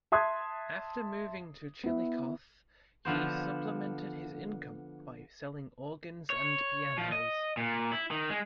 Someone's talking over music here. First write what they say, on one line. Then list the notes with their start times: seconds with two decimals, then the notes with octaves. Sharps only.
After moving to Chillicothe, he supplemented his income by selling organs and pianos.
0.12 E5 A5 C6 D#6 F#6 G#6
1.83 B3 E4
3.05 D3 F3 B3 C5
6.30 C#5
6.98 F3
7.12 D#5
7.57 A#2
7.92 E4
8.11 D#3
8.30 G#3